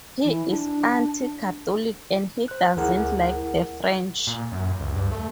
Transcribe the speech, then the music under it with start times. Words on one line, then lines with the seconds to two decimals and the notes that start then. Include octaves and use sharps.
He is anti-Catholic, and he doesn't like the French.
0.24 E3
0.50 D4
2.48 C5 F#6
2.76 D2 E4 G#4 A#4 F#5
4.27 A#2
4.52 F#2
4.80 C#2
4.95 G2
5.12 A3